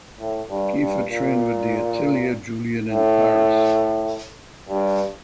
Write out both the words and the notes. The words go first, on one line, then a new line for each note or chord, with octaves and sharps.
Kiefer trained with the Atelier Julian in Paris.
A2
G2
G2
A#2
A2
G2